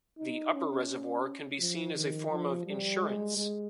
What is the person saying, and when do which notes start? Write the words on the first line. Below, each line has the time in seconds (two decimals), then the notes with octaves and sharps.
The "Upper" reservoir can be seen as a form of insurance.
0.18 D#4
0.54 C#4
1.60 F3
1.95 D#3
2.31 F3
2.67 G3
3.02 G#3
3.37 G#3